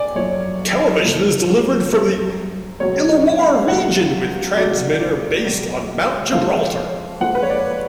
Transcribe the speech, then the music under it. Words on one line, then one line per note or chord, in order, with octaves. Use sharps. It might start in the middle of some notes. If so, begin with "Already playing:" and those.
Television is delivered from the Illawarra region with transmitter based on Mount Gibraltar.
Already playing: D5 G#5
F#2 F3 A3 C#5
F#2 F3 A3
F#2 F3 A3
C#2 B2 F#3 C#5
F5
C#2 B2 F#3 F#5
C#2 B2 F#3 D5
D5
C#2 B2 F#3
F2 F3 G#3 F5
F2 F3 G#3 F#5
B4
C#5
D5